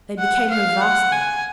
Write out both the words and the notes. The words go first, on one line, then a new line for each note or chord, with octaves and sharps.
They became her vastly.
F#5
F5
F#5
G#5